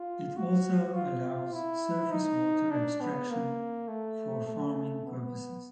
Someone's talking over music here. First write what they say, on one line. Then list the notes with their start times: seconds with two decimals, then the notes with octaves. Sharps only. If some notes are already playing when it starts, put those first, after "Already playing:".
It also allows surface water abstraction for farming purposes.
Already playing: F4
0.36 F#4
0.94 F4
1.53 E4
2.12 D#4
2.71 D4
3.01 B3
3.30 A#3
3.88 A3
4.47 A3
5.06 B3